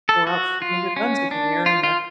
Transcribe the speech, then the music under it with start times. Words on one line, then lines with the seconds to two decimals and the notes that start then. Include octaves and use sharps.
were out shooting their guns in the air, and the
0.09 A4
0.27 F#4
0.62 F4
0.96 C#4
1.31 D4
1.66 F4
1.83 F4